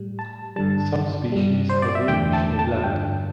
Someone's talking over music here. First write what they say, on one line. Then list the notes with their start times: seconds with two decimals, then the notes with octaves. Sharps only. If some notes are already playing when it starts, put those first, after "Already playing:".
Some species are greenish or black.
Already playing: A2 G3
0.19 A5
0.56 G2 D3 G3 A5
1.32 G2 G3
1.69 C5
1.82 D5
1.95 E5
2.08 E2 D3 A3 G5
2.33 A5
2.59 A5
2.84 G2 D3 G3 G5